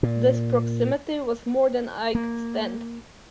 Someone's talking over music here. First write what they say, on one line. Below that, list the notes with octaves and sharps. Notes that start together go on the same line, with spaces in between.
This proximity was more than I could stand.
A#2
A#3